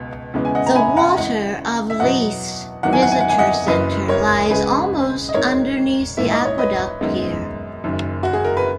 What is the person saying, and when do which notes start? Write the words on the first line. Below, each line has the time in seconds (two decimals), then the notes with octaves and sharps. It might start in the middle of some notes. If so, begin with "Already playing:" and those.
The Water of Leith's visitor centre lies almost underneath the aqueduct here.
Already playing: C#2 B2
0.34 E2 C#3 G#3 B3
0.45 G#5
0.55 D#5 F#5
0.66 A#5
0.75 G#5 B5
0.97 F#5 A#5
1.17 C#2 C#3 E3 D#5 F#5
1.90 E5
2.00 E2 B2 F#3 B3 D#5 F#5
2.83 E2 D#3 F#3 F#5
2.93 G#5
3.02 F#5
3.12 G#5
3.20 F#5
3.29 G#5
3.38 D#5 F#5
3.67 F#1 F#2 E3 B4 D#5
4.08 A#4 C#5
4.50 C#2 C#3 G#3 G#4 B4
5.29 D#5
5.34 G#1 G#2 D#3 G#3 A#4 C#5
6.17 A#1 G#2 E3 A#3 E5
6.31 D#5
6.45 C#5
6.58 B4 D#5
7.01 F#2 D#3 G#3 B3
7.84 F#1 F#2 D#3
8.23 F#4
8.33 G#4
8.45 A#4
8.57 B4